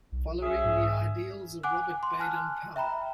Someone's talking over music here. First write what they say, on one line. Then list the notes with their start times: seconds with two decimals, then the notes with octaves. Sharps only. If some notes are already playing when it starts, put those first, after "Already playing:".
Following the ideals of Robert Baden-Powell.
0.12 B1
0.43 C#4 G#4 E5
0.64 G#2
1.63 F#5 G#5 D6 F#6
2.03 C6
2.20 G#5 A5 F6 F#6
2.76 E5 G5 A#5 B5